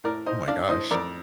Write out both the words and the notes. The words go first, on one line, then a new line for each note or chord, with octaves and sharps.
Oh my gosh.
A2 A#4 D5
D#4 C5 D#5
D4 D5 F5
A2 C5 D#5
F2 A#4 D5